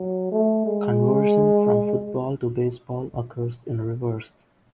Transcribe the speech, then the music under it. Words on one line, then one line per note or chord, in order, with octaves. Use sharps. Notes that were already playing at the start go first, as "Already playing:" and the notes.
Conversion from football to baseball occurs in reverse.
Already playing: F#3
A3
G#3